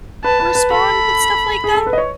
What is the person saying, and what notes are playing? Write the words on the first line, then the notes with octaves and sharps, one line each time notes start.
respond with stuff like that.
B4 A5
B4
B4
A4 B5
G#4
A4
B4
D#5
C#5